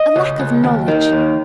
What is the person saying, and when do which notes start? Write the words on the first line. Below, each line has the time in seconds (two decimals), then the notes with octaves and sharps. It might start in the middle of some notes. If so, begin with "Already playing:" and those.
A lack of knowledge.
Already playing: D#5
0.16 C#2
0.39 C#2
0.64 D#2
0.88 D#3
1.12 D#2